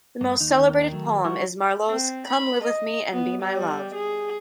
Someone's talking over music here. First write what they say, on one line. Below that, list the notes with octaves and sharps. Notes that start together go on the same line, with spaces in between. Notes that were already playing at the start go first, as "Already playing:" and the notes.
The most celebrated poem is Marlowe's 'Come live with me and be my love'.
G2 A#3
D#2 D#4
D#3
F#3 A3
G3 E4 F#4 A#4
C4
B5
D#5
B3
G3
G#4